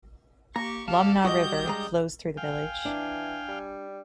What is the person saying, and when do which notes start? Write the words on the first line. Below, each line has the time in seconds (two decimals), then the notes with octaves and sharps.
Lomná River flows through the village.
0.56 A#3 G4 A#5 C#6
0.88 G4 A4 F5 A5
1.25 G3 F#4 D#5 D#6 G6
1.66 G2 G#3 A#5
2.37 F5 G5 G#5
2.85 E3 D4
3.49 G3